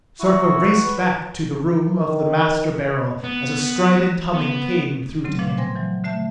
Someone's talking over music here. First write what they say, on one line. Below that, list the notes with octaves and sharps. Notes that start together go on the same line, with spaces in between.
Sarka raced back to the room of the Master Beryl as a strident humming came through to him.
E4 F#4
B4
D#3
B3
B3
C#3 F#3 A3 C4
A#2 F3 B4 F5
C5 G5 G#5 C6 G#6 A#6
E3 F#3
D3 A3 E5 A5 G6